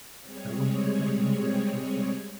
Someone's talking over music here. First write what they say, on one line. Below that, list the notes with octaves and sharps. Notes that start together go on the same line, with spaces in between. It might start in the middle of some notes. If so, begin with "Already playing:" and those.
I wanted to thank him for what he had done.
G3 G#3 C4 G#4 C#5